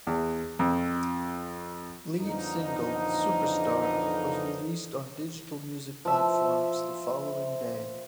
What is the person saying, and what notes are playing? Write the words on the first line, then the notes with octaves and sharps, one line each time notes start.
Lead single "Superstar" was released on digital music platforms the following day.
E2
F2
F2 D3 E3 A#3 D#4
F3 E5